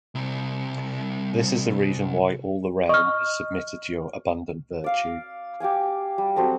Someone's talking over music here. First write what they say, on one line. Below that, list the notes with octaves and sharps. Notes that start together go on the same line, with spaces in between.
This is the reason why all the realm has submitted to your abundant virtue.
C2 C3
D#5 C#6 F6
D5 F5
G4 D5 F5 G#5
G3
F#3 C4 A4 D#5